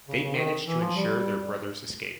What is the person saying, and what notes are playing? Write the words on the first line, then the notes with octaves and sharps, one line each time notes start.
They managed to ensure their brothers escape.
C#3
C#3
D#3
E3
F3
G3